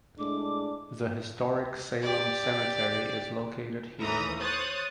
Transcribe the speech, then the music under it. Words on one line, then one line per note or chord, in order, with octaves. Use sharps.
The historic Salem cemetery is located here.
A2 G#3 D4 D6
G4 D5
D#2 E3 A3 C#4 A#5 D#6
C5 C#5 D#6 F#6 A6